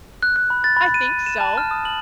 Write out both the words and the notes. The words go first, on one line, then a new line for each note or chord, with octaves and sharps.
I think so.
F#6
F#6
B5
A6
B5
D#7
B5
E7
A5
F6
D#6
F#7